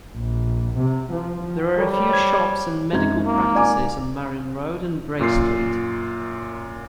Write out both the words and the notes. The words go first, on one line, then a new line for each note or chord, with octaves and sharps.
There are a few shops and medical practices on Marion Road and Bray Street.
A#1
C3
F3
G3 A4 A#4 C#5
C5 C#5 G#6
F#2 G#3 C4 D#4 G#6
A#3
D5 G#5 D6
F#2 A#2 F4 C7